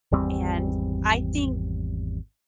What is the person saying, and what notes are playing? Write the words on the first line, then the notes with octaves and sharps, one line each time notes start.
and I think
G#1 E2 G3 C4